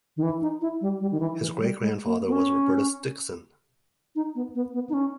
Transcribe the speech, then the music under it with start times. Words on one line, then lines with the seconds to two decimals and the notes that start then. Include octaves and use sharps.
His great grandfather was Robertus Dixon.
0.17 D#3
0.23 E3
0.41 D#4
0.61 E4
0.81 G3
1.01 G3
1.12 D#3
1.20 E3
1.40 E3
1.60 G3
1.80 G#3
2.05 A#3
2.27 B3
2.32 C#4
4.16 D#4
4.35 B3
4.55 B3
4.73 B3
4.89 D#4
4.94 C#4